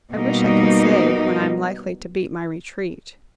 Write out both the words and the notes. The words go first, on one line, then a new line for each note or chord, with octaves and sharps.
I wish I could say when I am likely to beat my retreat.
B2 G3 A#3 D#4